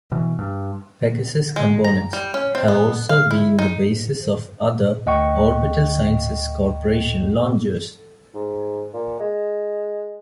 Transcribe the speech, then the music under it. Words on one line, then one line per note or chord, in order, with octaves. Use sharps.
Pegasus components have also been the basis of other Orbital Sciences Corporation launchers.
B2 E3
G2
G#3
A#5
G3
C#4
C4
B3
F5
E4
D#4
D2 D#5 F#5 G5 C#6
G#2
A#2
G#3